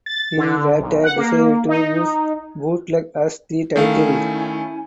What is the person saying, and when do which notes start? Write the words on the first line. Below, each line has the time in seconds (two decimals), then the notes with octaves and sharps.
He later decided to use "Bootleg" as the title.
0.06 A6
0.37 D3
0.79 B1
1.04 F#5
1.16 A#3
1.69 D#4
3.76 D#3 A3 C#4 E4 F5 G#5